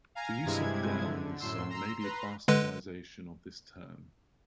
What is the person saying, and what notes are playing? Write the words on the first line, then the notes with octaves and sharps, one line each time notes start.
The use of "dell" in this song may be a bastardisation of this term.
F5 G#5 A#5
G2 C3 G#3 E4 G#6
D3
F#2 A2 C6 E6
A#5 C6 E6
B4 A#5 C6
D3 G#3 B4